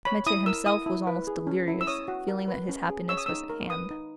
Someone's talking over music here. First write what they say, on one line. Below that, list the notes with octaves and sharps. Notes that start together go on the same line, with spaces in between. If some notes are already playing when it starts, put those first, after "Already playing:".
Mitya himself was almost delirious, feeling that his happiness was at hand.
C#5 B5
E4 D#6
A#4 E6
E4 D#6
E4
B4
G#4
C#4
E4
E6
C#5 D#6
F#4
A#4
B4
C#4
G#4
C#5 E6
D#6
D#4 E6
A#4
B4 D#6
D#4